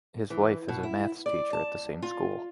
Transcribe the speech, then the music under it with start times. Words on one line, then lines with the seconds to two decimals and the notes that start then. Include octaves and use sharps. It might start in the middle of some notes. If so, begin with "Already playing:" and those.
His wife is a maths teacher at the same school.
0.30 E3
0.68 B2
0.83 E4
1.26 D5
1.53 A5
2.02 F4